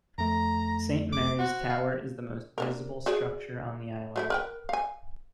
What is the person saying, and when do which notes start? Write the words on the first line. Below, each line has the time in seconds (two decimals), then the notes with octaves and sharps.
Saint Mary's Tower is the most visible structure on the island.
0.18 F2 A3 A#5
1.12 D6
1.39 F#4 C5 F#5
1.70 F5
2.58 A#3 D4 A#4
3.06 F#4 G#4 D5
4.16 F#3 A3 E4
4.30 A#4 B4 G5
4.69 F5 G#5